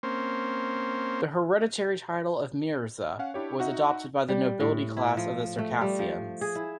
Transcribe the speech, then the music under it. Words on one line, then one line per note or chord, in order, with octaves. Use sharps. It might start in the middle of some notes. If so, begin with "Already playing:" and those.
The hereditary title of Mirza was adopted by the nobility class of the Circassians.
A#3 C4 C#4 C5
C#4 F5 F#5
D4 E4 G4 C#5
D#4 F#4 E5 F#5
G3
A2
E4
F3
A3
G3
F3
G#4
E4